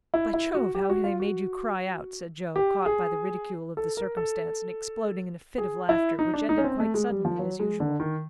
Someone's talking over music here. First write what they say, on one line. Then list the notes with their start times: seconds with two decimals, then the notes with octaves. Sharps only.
"By Jove, how they made you cry out!" said Joe, caught by the ridicule of the circumstance, and exploding in a fit of laughter which ended quite suddenly, as usual.
0.14 E4
0.34 E4
0.55 F#4
0.75 G4
0.90 F#4
1.04 F4
1.20 F#4
2.56 G4
2.86 G#4
3.77 A4
3.97 A#4
4.17 A4
5.58 G#4
5.89 E4
6.19 D#4
6.34 D4
6.49 D#4
6.58 C#4
6.64 C4
6.80 A3
6.94 G#3
7.09 G3
7.25 F3
7.39 F#3
7.60 G#3
7.80 D3
8.00 D#3